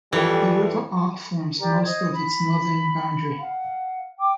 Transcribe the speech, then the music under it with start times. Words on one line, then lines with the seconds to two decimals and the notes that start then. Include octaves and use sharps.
The River Ock forms most of its northern boundary.
0.13 F2 A2 E3 G3
1.57 G4 A#4 D5
1.84 C5 D#5 D#6 G#6
2.12 B5
3.38 F5 F#5
4.18 G5 D6